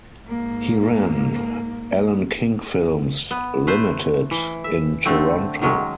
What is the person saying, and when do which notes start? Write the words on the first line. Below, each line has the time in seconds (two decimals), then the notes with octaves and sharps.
He ran Allan King Films Limited in Toronto.
0.24 G#2 A#3
3.31 B3
3.67 A3 B4 C5
4.31 E3
4.64 E5
5.05 D3 A3 C4
5.61 D#3 F#3 G#3 C#4